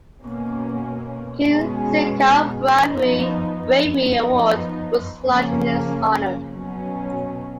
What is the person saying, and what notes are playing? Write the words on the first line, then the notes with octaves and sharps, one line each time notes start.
King Sigcau Bravery Award was launched in his honour.
B2 A#3 C#4
B2 G#3 C#4
F3 B3 D#4
F3 B3 D#4
C#3 F3 A#3 C#4
B2 F#3 C#4